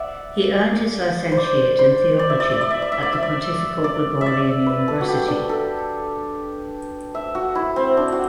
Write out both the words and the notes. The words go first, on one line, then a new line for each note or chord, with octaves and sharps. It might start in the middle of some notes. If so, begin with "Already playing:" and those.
He earned his licenciate in theology at the Pontifical Gregorian University.
Already playing: D5 E5 F#5
C5
D5
C5
D5
E5
D5
E5
D5
E5
D5
E5
D5
E5
D5
D5
E5
D5
B4
A4
F#4
G4
D4
A4
E5
F#4
E4
C4
D4
F#4